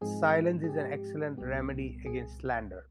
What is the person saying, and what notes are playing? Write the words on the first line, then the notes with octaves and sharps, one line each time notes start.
Silence is an excellent remedy against slander.
G#2 F3 G#3 C4 D#4 G#4
G#4
G4
C2 A#2 G3 B3 G4
G#4